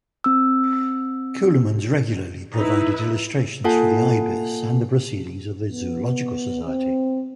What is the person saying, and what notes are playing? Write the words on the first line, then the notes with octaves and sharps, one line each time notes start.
Keulemans regularly provided illustrations for "The Ibis" and "The Proceedings of the Zoological Society".
C4 E6
D#4 E4 B4
A#3 F4 A4 F#5 G#5 A5
B3
C4